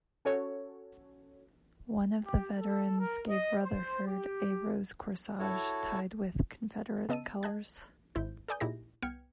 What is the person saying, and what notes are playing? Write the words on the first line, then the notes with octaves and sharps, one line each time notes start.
One of the veterans gave Rutherford a rose corsage tied with Confederate colors.
C#4 F#4 A4 C#5
G4
A4
A#4
D#5
C5
G4
E4 F#4 A4 C#5
C#3 B3 D#5 A5 E6 D#7
D#5 A5 F#6 G#6
G#1 E4 C5 G6
A4 B4 D5 G#5 D#6 G6
A#2 D#4 E4 G4 G#4 A#6
C2 B3 G5 F6 G#6 C#7